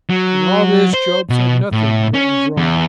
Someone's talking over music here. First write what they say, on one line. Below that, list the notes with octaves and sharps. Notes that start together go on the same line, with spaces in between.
In all this Job said nothing that was wrong.
F#3
C5
B2
A2
C#4
E2